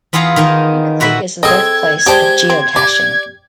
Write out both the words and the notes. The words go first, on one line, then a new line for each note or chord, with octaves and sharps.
Beavercreek is the birthplace of geocaching.
E2 B3 F4 G#4 F5 A#5
D#3 D#4 D#5 G#5
A#2 F#4 B4 E5 B5
C4 G#4 A4 D#5 G5 G#6
G#3 G4 C5 D5 A5
C4
G4 D5